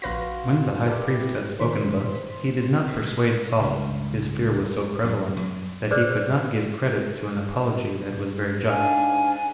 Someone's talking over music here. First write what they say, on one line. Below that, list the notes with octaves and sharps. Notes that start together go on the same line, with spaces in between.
When the high priest had spoken thus, he did not persuade Saul, his fear was so prevalent, that he could not give credit to an apology that was very just.
A#1 F#4 B4 F5 C6 A#6
E4 G4 A4 B4
D#3 C5 C6 B6
B2
C#2 G2
F#2
F#2 F#3
G#4 B4 C5 D5
G#2 D4 F5 G#5